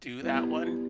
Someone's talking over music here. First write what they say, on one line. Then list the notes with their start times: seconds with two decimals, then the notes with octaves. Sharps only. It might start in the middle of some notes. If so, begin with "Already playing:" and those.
do that one,
0.22 G3 B3 E4